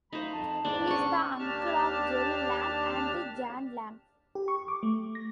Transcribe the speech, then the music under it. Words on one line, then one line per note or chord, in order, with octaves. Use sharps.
He is the uncle of Jerry Lamb and Jan Lamb.
F#2 A3 D#4 C5 F5 B5
F2 A5
E2 G#2 D4 C5 D5
C#4 C#6
D#2 D4 G4 A5 F6
G4
C#6
D6
A3
A#6